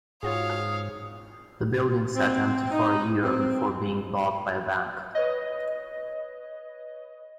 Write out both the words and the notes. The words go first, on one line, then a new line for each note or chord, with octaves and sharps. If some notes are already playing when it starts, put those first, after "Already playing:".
The building sat empty for a year before being bought by a bank.
G#2 F4 F#4 G#4 C#5 F5 D#6
C4
D#4
C4
B4 C#5 D#5